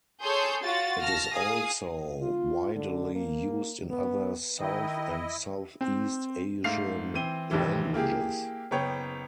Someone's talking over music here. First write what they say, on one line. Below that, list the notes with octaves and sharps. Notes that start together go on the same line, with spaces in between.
It is also widely used in other South and Southeast Asian languages.
G#4 A4 C#5 C6 G6
F4 F#4 A6
A5 F6 A#6
G#4 F5 D#6
F4
D3
A#3
B3
D#3 E4 D#5
C4
G#2 A3 F5 C7 F7
E3 C4 D#7 G7
A1 F2 C3 D#3 E3
A#3 E4 G4 G#4
F#1 B3 C#5 G5